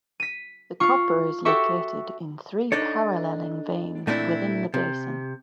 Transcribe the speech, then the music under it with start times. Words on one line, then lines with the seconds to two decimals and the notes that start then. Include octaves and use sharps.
The copper is located in three paralleling veins within the basin.
0.20 B6 D#7
0.80 F4 C#6
1.45 F#4 G4 A4 E5 C#6
2.72 D4 D#4 A4 C#5
4.07 A#2 A3 C4 D4 E4
4.74 C3